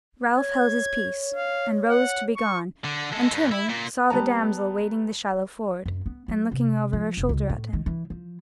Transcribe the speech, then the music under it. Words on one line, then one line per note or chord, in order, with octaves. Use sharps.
Ralph held his peace, and rose to be gone and turning saw the damsel wading the shallow ford, and looking over her shoulder at him.
C#5 G#6
F5
F#5
C#6
D3
G#3 A4
G2
E4
A#2
G3 B3 A5 A#5
F#2
B3
F#3
C3
F3
F1
C#2
A2
D#3
E3
F3